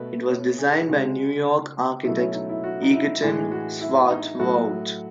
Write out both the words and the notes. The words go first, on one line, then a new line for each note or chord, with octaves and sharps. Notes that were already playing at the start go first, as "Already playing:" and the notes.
It was designed by New York architect Egerton Swartwout.
Already playing: B2 A3 B4
C#5
G#4
C#3 G#3 F#4
B2 F#3 A3 E4
C#4
D#4
E4
F#4
D#4
E4
A2 E3 G#3 G#4
F#4
E4
D#4
A2 F#3 A3 F#4